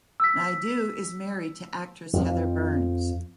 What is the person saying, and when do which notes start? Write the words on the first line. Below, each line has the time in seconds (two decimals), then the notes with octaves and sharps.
Naidu is married to actress Heather Burns.
0.20 E6 B6
2.13 F2 F3